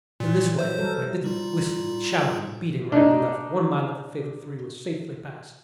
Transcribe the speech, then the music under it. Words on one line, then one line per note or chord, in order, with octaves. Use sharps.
In this way, by dint of whistling and shouting, and beating right and left, one mile of the fatal three was safely passed.
A#2
E3 F#3
F#3 C5 E5
G3 A4 A#4
G3 D#4 F4
D4 D#4